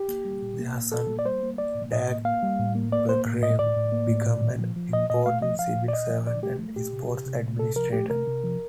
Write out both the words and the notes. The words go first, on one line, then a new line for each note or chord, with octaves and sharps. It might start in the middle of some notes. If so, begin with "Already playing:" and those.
Their son Dag Berggrav became an important civil servant and sports administrator.
Already playing: G4
A#3
G3
A#2
A#3
A#2
A#2 A4
A#3
D5
G3 C5
A#3
A#3 D5
A2
A2 D#5
A#3
A#3 F5
G3
A2
A#3
A#3 D5
A#3 C5
A2
A2 D#5
A2 D5
A2
A#3
A2
A#2
A#2
F3
F3
A#2 D#5
A#2 D#5
A3 F5
F3 D#5
F3 F5
A#2
D5
A#2 D#5
F3
A#2 D5
A3 G4
A3
A#2 G4
C3
C3
C3
A3
C3 A4
F3 A#4
A3 G4
C3 A#4
C3
F3